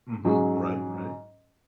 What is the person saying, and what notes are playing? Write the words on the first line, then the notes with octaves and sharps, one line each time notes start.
Mhm, right, right.
G#2 F#3 C#4 G#4